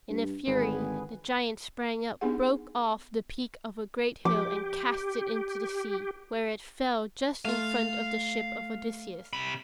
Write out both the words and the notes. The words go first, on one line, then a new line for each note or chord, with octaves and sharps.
In a fury the giant sprang up, broke off the peak of a great hill and cast it into the sea, where it fell just in front of the ship of Odysseus.
G2
G#1 D3 G#4 B4
B3 D4 D#4 G4 G#4 F#5
F3 G4 D6
A3 F4 F5
C3 B5